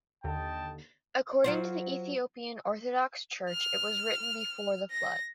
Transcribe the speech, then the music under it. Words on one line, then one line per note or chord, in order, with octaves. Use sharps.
According to the Ethiopian Orthodox Church it was written before the Flood.
D#2 D3 D#5 G5 A5
F#3 F4 C5
F6
A#6